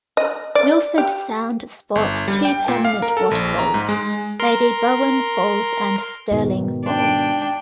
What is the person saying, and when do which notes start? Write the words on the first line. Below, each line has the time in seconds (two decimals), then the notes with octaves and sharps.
Milford Sound sports two permanent waterfalls, Lady Bowen Falls and Stirling Falls.
0.17 D#5
0.55 D5
0.98 G4
1.95 G1
2.28 G3
2.45 G5
2.68 A#2
2.85 F5
3.02 A#4
3.17 A4
3.31 A#1
3.59 A#5
3.74 G#2
3.89 G#3
4.40 A#4 C6
6.31 G#2 B2 D#3
6.84 D4 G5